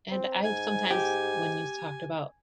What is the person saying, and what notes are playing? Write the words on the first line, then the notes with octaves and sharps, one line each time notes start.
and I sometimes when you talked about,
C4
G#2 G#5
G4